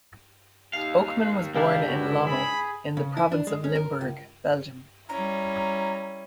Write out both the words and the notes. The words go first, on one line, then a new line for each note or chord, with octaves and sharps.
Oakman was born in Lommel, in the province of Limburg, Belgium.
D#2 F5
C#2 G#2 D4 E4 G4 F5
F#4
G#4 B5
C#3
E4
D4
G#3
C#4
A#4
C#2
G3 C#4 E4 A#5